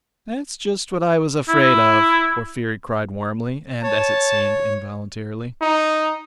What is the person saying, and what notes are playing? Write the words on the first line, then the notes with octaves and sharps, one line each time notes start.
"That's just what I was afraid of!" Porfiry cried warmly and, as it seemed, involuntarily.
E4
C#5 A5
D#4